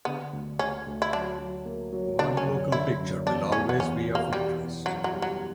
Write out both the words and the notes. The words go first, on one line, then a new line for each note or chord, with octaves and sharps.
One local picture will always be of interest.
D3 B3
D2
D2 C#4
D2
E4
F#3 D4
F#3
A#3
F#3
D3 D4
C#4
F#2
D3 E4
F#2
E2 D4
E2 C#4
B3
E2 C#4
B2
A#3
E3 G3
B3
F#2 F#3
F#3
G3
F#3